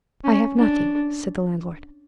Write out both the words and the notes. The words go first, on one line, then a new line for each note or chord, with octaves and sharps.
"I have nothing," said the landlord.
C#4
D4